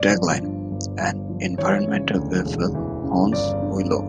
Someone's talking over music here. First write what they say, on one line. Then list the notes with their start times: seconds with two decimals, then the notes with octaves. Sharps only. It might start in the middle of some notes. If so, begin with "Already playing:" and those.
Tagline: "An environmental evil haunts Willow".
Already playing: G1 D5
0.13 F3
0.42 G2
0.71 G1
1.00 G1
1.29 F3
1.58 E3 C#5
1.88 C#3
2.17 D2
2.45 E1
2.74 E3
3.04 C#3
3.33 G1 D5
3.62 D3